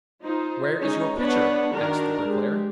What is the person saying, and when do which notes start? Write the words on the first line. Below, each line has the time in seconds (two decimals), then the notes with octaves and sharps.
'Where is your pitcher?' asked the bricklayer.
0.24 D#4 F4 C5
0.79 G#3 C#4 D#4 C#5
1.18 B3 D4 B4 C#5 F#5
1.71 D#3 D4 F#4 A#4
2.24 G#3 G4